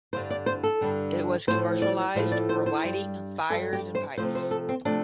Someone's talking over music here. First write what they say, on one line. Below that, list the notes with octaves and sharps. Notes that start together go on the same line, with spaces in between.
It was commercialized for lighting fires and pipes.
G2 D3 G3 C5
D5
C5
A4
G2 D3 G3
A2 F3 A3 C5
D5
A2 F3 A3 C5
D5
C5
C5
G2 G3
G2 G3 A4
G4
C5
C3 F3 A3 C5
C5
A4
C4
C3 F3 A3 D4